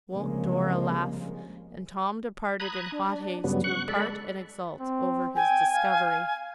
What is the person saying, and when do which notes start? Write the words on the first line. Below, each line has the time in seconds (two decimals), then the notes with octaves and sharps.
Won't Dora laugh?' And Tom departed in hot haste to impart and exult over his discovery.
0.12 C2 C#3 F3 G#3 A#3
2.60 A#5 B5 D#6 F#6 G#6
2.92 D4
3.44 G2 C#3 F#3 G3 B3
3.64 F#5 C#6 F#6
3.88 G#3 A4 D5 B5
4.80 C4
5.35 G5 G#5
5.75 F5